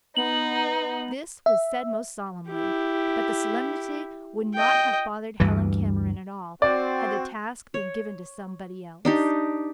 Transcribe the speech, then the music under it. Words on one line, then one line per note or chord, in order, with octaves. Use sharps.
This was said most solemnly; but the solemnity would not have bothered Helen Cameron at all, had the task been given to somebody else!
B3 D#4 F#7
E5
E4 G4
D#5 G5
D2 G2 E3
C4 F#4 D5
C#5
D4 D#4 G4